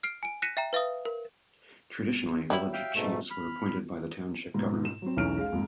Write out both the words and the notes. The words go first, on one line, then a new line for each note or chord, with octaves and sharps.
Traditionally, village chiefs were appointed by the township government.
F6 C7 D7
G#5 D7
F#6 A#6 B6 C#7 D#7 E7
E5 G5 A#5
B4 E5 F5 D#6
A#4
F#3 G3 E4
E5 F5 G5
G#2 B2 A3
B5 F6
G#2 B2
E7
F#3 C4
B1 E2 C#4 F6 D7
G#3 F5
F2 G#2